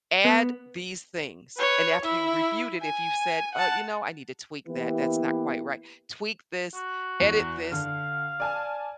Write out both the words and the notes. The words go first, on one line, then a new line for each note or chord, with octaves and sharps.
'Add these things,' and after you've reviewed it, if you've said, 'Uh, you know, I need to tweak that, that's not quite right', tweak this, edit this,
B3
B4 C#5
E4 E5
G#5
F#5 A5
E3 A#3 B3 E4 G4 B4
F#4
E2
D3 F5
D5 G#5 A5